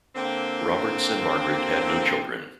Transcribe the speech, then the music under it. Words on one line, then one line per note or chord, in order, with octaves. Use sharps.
Roberts and Margaret had no children.
D3 A#3 C4